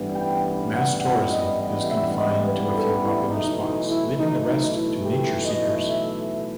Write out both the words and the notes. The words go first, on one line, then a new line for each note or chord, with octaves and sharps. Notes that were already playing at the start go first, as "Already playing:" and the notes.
Mass tourism is confined to a few popular spots, leaving the rest to nature-seekers.
Already playing: A1 G2 E3 G3 B3
G5
F#5
F#5
D#5
D#5
E5
D#5
B4
A4
E4
B1 A2 E3 A3 D#4
D#4
E4
D#4
D#4
E4
G4
D#5
E5